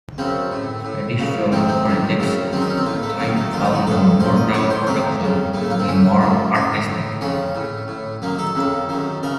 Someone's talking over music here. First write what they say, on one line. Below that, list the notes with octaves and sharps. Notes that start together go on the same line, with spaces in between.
Swedish film critics of the time found the Murnau production to be more 'artistic'.
F#2 C#3 C4
A2
A2
F#2 C#3
F2 C3 D#3 C4
C4
F#2 D#3
F#2 C#3
F#2 D#3 C4
D#4
C#4
C4
A2 A#3
A3
F#2 D#3 A#3
A3
F#2 D#3 F4
D#4
F#4
F2 C#3 A4
F#2 C#3 C5
D#5
A2 C#5
C5
F2 C3 D#3 A#4
F2 C#3
A2 A#3
A3
A#3
C4
A2 C#4
F#2 C#3
A2 D#4
A2
F2 C#3 C#4
A2
A2
F#2 D#3 A#3
A4
F2 C#3
F#2 D#3
C#3 A#4